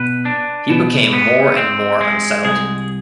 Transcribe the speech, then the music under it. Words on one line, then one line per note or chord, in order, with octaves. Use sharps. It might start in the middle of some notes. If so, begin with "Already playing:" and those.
He became more and more unsettled.
Already playing: B2 B4
D4
B2
B3
C4
G#3
C2 G#4